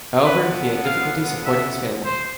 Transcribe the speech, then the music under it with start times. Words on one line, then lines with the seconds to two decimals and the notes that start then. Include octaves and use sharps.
However, he had difficulty supporting his family.
0.24 D3 F3 B3 B4
0.85 F5
1.45 E5
2.05 C5